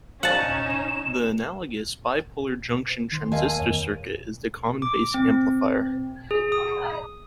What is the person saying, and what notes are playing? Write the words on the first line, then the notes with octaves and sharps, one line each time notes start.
The analogous bipolar junction transistor circuit is the common-base amplifier.
C#4 D#4 C5 D5 F5 F#5 A5 E7
D#3 C6
D#2 D#5 F5 G#5 A5 C6
F2 C#5 D#7
D6
C4
G#4
D#6